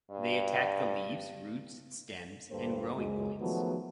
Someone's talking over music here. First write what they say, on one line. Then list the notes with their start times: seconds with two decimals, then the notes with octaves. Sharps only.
They attack the leaves, roots, stems, and growing points.
0.10 G2
2.50 D2 G2 A#3 A4 C5
2.95 C#2 F#2 G#3
3.40 D#3 F3 F#3 G#3 A3 B3